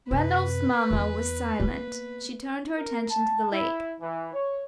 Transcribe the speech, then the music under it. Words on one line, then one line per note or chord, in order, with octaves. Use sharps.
Randolph's mamma was silent; she turned her attention to the lake.
F#2 C3 B4
E2 B3
A#3 B3
A#4
A5
E4
E3
C#5